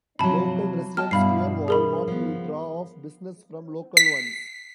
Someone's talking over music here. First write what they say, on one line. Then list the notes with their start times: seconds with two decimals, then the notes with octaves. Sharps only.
Local residents fear WalMart will draw off business from local ones.
0.19 C3 F3 F#3 A5 B5
0.97 D#5 G5 A5 F6
1.11 G2 B2 E4 F5 B5 C7
1.68 G#4 A#4 B5
2.08 F3 B3
3.97 B6